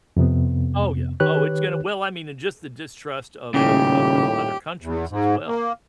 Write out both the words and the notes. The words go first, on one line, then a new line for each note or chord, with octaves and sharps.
Oh, yeah, oh, it's gonna Well, I mean, just the distrust of the g of the other countries as well.
F2 C3 B3
D#3 G4 B4 C#5 F#6
D#1 A2 C#3 G4
E2
G#2
A#3